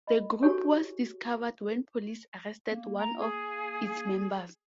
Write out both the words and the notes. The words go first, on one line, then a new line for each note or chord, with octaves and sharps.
The group was discovered when police arrested one of its members.
D#5 B5
F#4 G4 A4 C#5 G#5 C#6
A#3
A#5
G#4